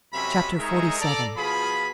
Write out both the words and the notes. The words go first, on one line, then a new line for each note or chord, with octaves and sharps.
Chapter XLVII.
F#2 C3 G#3 C#4 E5 B5
G#3 D#4 G#4 A#4 C#5 E5
A4 D5 A#5
B2 F3 F4 G#4 B5